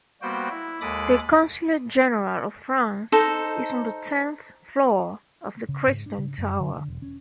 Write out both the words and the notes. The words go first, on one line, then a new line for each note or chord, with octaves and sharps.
The Consulate-General of France is on the tenth floor of the Crystal Tower.
G3 A#3 B3 F#4 C5 G5
E4
D#2 G#3 A4 B5 D6 D#6
D#4 A4 C5
C#3
G#2
D4
C#3
F#2
D3
D3
E1
C#4